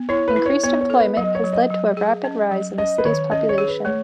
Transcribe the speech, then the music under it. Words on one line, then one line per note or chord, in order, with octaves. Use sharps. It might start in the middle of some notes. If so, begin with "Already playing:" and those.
Increased employment has led to a rapid rise in the city's population.
Already playing: B3
E4 C#5
B4
E4
C#5
B3 C#5
C#5
A4
B4
F#3 D#5
C#5
F#3
D#5
F#3
G#4
C#4
F#3
C#4 D#5
B4
D#3 C#5
C#4 D#5
C#5
G#4
B4
A3 C#5